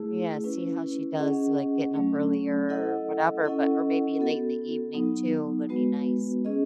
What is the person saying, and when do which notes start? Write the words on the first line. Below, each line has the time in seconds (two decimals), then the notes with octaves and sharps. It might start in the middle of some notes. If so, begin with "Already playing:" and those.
yeah, see how she does, like, getting up earlier or whatever, but or maybe late in the evening too would be nice.
Already playing: A3 E4 G#4
0.44 C#4 E4 B4
1.19 C#4 G#4 D#5 F#5
1.94 F#3 A3 C#4
2.69 E4 A4 D#5 F#5
3.44 C#4 E4 A4 D#5 F#5
4.19 B3 F#4 A4
4.94 F#3 B3 D#4
5.69 G#3 B3 F#4 B4
6.45 C#4 G#4 D#5